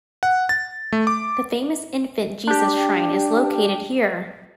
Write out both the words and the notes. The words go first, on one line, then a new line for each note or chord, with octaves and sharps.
The famous Infant Jesus Shrine is located here.
F#5
A6
A3
D6
D4 G4